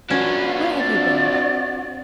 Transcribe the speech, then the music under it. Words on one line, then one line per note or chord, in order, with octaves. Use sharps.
Where have you been?'
C#4 D4 F4 F#4 B4
C4 F#4 D5